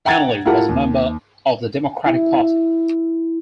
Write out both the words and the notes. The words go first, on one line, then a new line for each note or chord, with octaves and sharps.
Kennelly was a member of the Democratic Party.
E5 F#5 G5 A#5 G#6 A6
E4 F4 G4 A#4 F#5 A5
D#2
E4